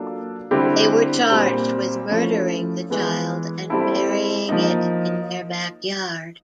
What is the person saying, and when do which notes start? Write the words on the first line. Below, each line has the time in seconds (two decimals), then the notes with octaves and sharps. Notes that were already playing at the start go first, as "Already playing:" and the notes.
They were charged with murdering the child and burying it in their backyard.
Already playing: F#3 A#3 D4 F4 A4
0.51 D3 G3 C4 E4 G4
1.30 A#2 G3 C4
2.10 F3 A3 C#4 E4
2.90 E3 G#3 B3
3.70 G3 C4 E4 A4
4.49 F3 A#3 D#4